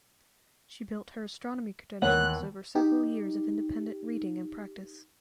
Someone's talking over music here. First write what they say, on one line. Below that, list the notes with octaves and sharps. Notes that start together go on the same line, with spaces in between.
She built her astronomy credentials over several years of independent reading and practice.
D#2 E3 B3 B4 C#5 F#5 F#6
D#4 G4